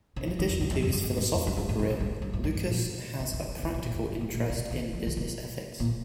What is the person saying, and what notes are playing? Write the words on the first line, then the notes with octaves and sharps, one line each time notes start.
In addition to his philosophical career, Lucas has a practical interest in business ethics.
C#3
F3
D#3
F2
G2
F2
F2
G2
G#2
G2
F2
G2
G2
G#2
C3
C#3
G2
G2
G2
G2
G#2
A#2
C3
C#3
D#3
C#3
C3
A#2
G2
G2
G#2
A#2
C3
D#3
F3
D#3
C3
C#3
A#2